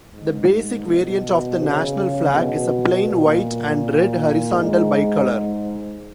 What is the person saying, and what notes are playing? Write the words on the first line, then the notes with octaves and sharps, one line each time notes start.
The basic variant of the national flag is a plain white-and-red horizontal bicolor.
G#2
B2
C#3
B2
A#2
G#2